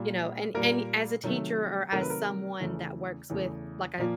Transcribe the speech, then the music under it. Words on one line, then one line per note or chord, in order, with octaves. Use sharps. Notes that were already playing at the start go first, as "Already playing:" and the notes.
you know? And and as a teacher or as someone that works with like I
Already playing: A#2 G3 A#3
A#2 G3 A#3 A#4
C3 D#3 F#3 A3
C3 D#3 F#3 A3 A#4
B4
A#4
E2 C#3 E3 A3
E2 C#3 E3 A3
A#2 F3 A#3